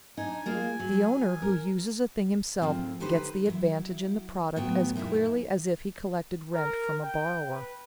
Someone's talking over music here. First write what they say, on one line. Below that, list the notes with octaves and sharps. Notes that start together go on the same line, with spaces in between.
The owner who uses a thing himself gets the advantage in the product as clearly as if he collected rent from a borrower.
D4 D#4 G#5
G#3 A#3 F4
F#3
A#4
D2 G#2 F3 C4
D3 D#4 G4 B4 C5
F#3 E4
D2 A2 F#3 B3 G5
F#2 A#2 D#4 E4
A#4
G5
B4